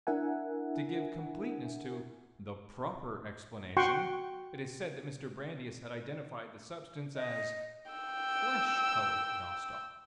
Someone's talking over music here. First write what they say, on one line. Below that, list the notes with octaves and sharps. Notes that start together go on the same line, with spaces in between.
To give completeness to "the proper explanation," it is said that Mr. Brandeis had identified the substance as "flesh-colored" nostoc.
D4 E4 A#4 E5 F#5 G#5
F#4 F#5 G5 C6 C#6
D#5
G5 E6